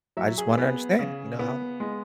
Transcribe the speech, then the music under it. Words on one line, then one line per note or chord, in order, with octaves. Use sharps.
I just wanna understand, you know, how
F#3 E5
G#4
B3
C#3
B3
G#3